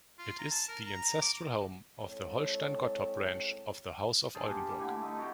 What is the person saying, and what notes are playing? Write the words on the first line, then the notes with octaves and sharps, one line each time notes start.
It is the ancestral home of the Holstein-Gottorp branch of the House of Oldenburg.
F4
A#5
A5
A#4
A#5
D6
G#3 C4 E4 A4 C#5
G2 G#4 C5 A5
A#3 G4
G3
A2 D3 G#5 B5
A3 D#4
C3 F#4 G4